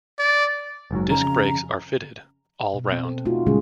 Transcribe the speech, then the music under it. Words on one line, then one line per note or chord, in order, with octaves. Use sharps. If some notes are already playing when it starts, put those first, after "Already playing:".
Disc brakes are fitted all round.
D5
F#1 G#2 F#3
F2 C#3 A#5
B2
C4
A4
A3 D#4 F4 F#4
A#2 C#3 G3 G#3 C#4 G#4